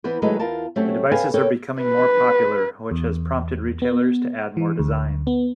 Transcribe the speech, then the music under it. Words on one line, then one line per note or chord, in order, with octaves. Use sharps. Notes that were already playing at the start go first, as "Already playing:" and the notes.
The devices are becoming more popular, which has prompted retailers to add more designs.
E3 B3 B4 C5
D#3 F#3 G#3 A3 A4 B4
E2 F4 A#4 A5
F#3 A3 C4 C#4 G4 A4
C#4 A4 B4 F5 G5 G#5
A4 A#4 C#5 G5
B4
E2
B3
E3
D2
B3